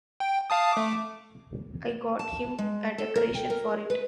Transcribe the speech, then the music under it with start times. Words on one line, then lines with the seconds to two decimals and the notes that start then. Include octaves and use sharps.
I got him a decoration for it.
0.20 G5
0.50 F5 A5 D#6
0.72 A3 D6
2.19 A5
2.59 G#3
2.98 A4
3.16 A#4
3.35 G5
3.50 A#4
3.90 B4